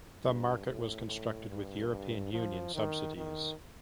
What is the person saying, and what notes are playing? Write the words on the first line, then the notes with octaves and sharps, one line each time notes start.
The market was constructed with European Union subsidies.
G2
A2
A2
G2
G2
F3
D#3
D#3